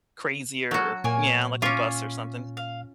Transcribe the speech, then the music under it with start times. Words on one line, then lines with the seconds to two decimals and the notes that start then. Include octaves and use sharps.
crazier, yeah, like a bus or something.
0.71 F#3 F#4 A4
1.04 A#2 A#3 C#5 G#5
1.62 C#4 F4 E5 G#5 D6
2.57 F5